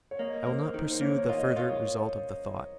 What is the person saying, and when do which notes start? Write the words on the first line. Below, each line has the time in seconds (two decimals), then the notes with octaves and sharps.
I will not pursue the further result of the thought.
0.11 C#5
0.19 A#3 D#5
0.46 A#3 C5
0.74 D#3 A#4
0.90 C5
1.01 A#3 C#5
1.29 F4 D#5
1.56 F4 C#5